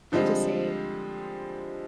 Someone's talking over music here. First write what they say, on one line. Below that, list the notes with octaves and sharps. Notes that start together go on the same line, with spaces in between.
to say,
D3 F3 G3 G#3 C4